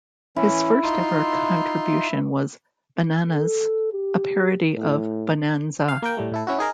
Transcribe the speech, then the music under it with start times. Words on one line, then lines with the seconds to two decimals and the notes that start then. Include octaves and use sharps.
His first-ever contribution was "Bananaz," a parody of "Bonanza".
0.36 E3 C#4 E4
0.83 D#4 F4 C6
3.29 A4
3.93 G4
4.76 A2
5.88 F5
6.02 A#3 A#4 G5
6.17 A2 G3 A3
6.32 A2 E4 A4
6.47 C#4 E4 F#4
6.58 D#4 G#4 A#4